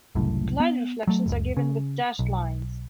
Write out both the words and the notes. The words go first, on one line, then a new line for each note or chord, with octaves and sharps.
Glide reflections are given with dashed lines.
F#1 C2 F#2 A2
B3
F#3 A3
F#1 C#2
C#3
B1